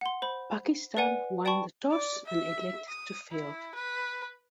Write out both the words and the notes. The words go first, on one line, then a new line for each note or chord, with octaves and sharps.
Pakistan won the toss and elected to field.
F#5 C6
C5 B5
B4 D5 F#5 G#5
D5 G5 A5 B5 C#6
D5
E5
D#6
E4
B4